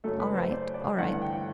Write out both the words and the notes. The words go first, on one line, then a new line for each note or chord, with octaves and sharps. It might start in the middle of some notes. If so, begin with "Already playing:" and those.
"All right, all right...."
F#1 F#2 F#3 A3 A4
B4
C5
D5
D5
G1 G2 E3 A3 F#5
G5